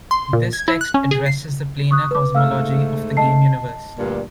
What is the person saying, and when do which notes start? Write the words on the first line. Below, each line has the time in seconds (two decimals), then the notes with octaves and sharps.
This text addresses the planar cosmology of the game universe.
0.11 C6
0.33 A#2
0.53 G#6
0.68 E4
0.81 F#6
0.94 C#4
1.11 G#4
1.26 C7
1.91 C#6 D#6 F#6
2.11 B4 D6
2.35 G#2 A3 F5 E6 F6
3.17 D#5 A5 C7
3.97 D2 G2 A#2